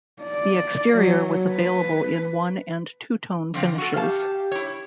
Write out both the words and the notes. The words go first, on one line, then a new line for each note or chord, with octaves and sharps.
The exterior was available in one and two-tone finishes.
D5
F#3
B4
D3 F3 C4
F#4 A4
G4 F5 A5
E4 C#5